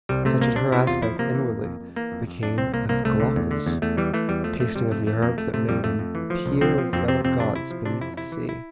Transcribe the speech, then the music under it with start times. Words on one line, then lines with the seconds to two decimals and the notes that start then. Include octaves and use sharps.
Such at her aspect inwardly became As Glaucus, tasting of the herb that made him Peer of the other gods beneath the sea.
0.09 C2 G3
0.25 C3 A3
0.40 C2 A#3
0.56 C3 D4
0.72 C3 E4
0.87 E2 F4
1.02 F3 E4
1.19 C3 A#3
1.35 E3
1.49 F2
1.65 F2
1.80 F2
1.96 E3 A#3
2.12 F2
2.27 F2
2.43 F2 D4
2.58 C2 C4
2.73 C2 A#3
2.89 C2 A#3
3.05 C2 A3
3.20 D3
3.36 E2
3.51 D3
3.66 E2
3.82 E2 A3
3.97 E3 G3
4.14 E3 A3
4.29 E2 G3
4.44 F3 A3
4.60 F2 A3
4.76 C3 G3
4.91 F2 A3
5.07 E3 A3
5.22 F2 A#3
5.38 F2 A3
5.53 C3 A3
5.69 F2 G3
5.84 F2 A3
5.99 F2
6.15 E3
6.30 F3
6.46 C2
6.61 F3 C4
6.78 F3
6.93 F2 C4
7.08 C3 C4
7.25 F2 C4
7.40 C3 D4
7.55 C3 E4
7.71 F3
7.85 C3 D4
8.01 F2 E4
8.17 C3 E4
8.32 E3
8.49 E4